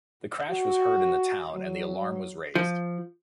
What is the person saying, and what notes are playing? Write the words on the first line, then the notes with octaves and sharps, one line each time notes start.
The crash was heard in the town and the alarm was raised.
F#4
F#3
F3